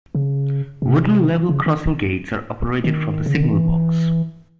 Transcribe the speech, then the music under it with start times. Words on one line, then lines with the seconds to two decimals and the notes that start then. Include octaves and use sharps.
Wooden level crossing gates are operated from the signalbox.
0.15 C#3
0.82 C3
1.49 C#3
1.66 D#3
2.84 D#3
3.26 C#3
3.35 D3
3.43 D#3
3.51 E3